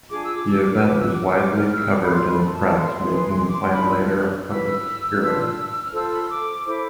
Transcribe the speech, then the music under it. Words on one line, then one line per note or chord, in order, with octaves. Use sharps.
The event was widely covered in the press, making Findlater a public hero.
D4 F4 G#4 D6
E6
D6
E6
D6
E6
F4 B4 D6
E6
D6
E6
D6
E4 G#4 C5 F6
E6
D6
B5
C6
E4 A4 C5 B5
A5
C6
E4 G#4 B4
D6
C6
D4 F4 G#4 B5
E6
F6
E4 B4 E6
D4 F4 B4
F6
F4 A4 C5 E6
B5
C6
D6
E4 A4 C5 D6